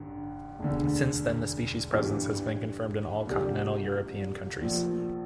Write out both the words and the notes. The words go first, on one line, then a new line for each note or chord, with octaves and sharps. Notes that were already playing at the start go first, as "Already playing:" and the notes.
Since then, the species' presence has been confirmed in all continental European countries.
Already playing: A1 G2 D3
E1 D2 D3
G2 E3 G3
C2 A#2 G3 D4 G4
A#1 A#2 F3 A3